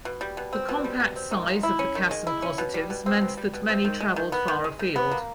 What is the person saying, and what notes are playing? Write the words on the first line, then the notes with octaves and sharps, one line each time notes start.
The compact size of the Casson Positives meant that many travelled far afield.
B2
G3
B2
C4
B2
G3
B2
C4
D#3
G#3
E4
C#4
D#3
G#3
E4
C#4
B2
G3
B2
C4
B2
G3
B2
C4
D#3
G#3
D#3
B3
D#3
G#3
D#3
B3
A#3